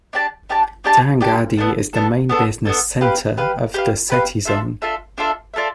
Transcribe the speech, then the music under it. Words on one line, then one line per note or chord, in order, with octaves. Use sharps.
Dhangadhi is the main business centre of the Seti Zone.
D4 G4 D5 A5
D4 G4 D5 A5
D4 G4 D5 A5
D4 G4 D5 A5
B3 D4 A4
B3 D4 A4
B3 D4 A4
B3 D4 A4
G4 B4 F5
G4 B4 F5
G4 B4 F5
G4 B4 F5
D4 F4 A4 E5
D4 F4 A4 E5
D4 F4 A4 E5
D4 F4 A4 E5